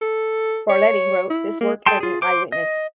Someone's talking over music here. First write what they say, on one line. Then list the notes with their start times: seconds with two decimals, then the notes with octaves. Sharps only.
Barleti wrote this work as an eyewitness.
0.01 A4
0.69 C#5
1.30 E4
1.60 A#3
1.86 G#4 A4 G5 A5 C6
2.00 F4 G#4
2.22 C5 D6
2.52 D#5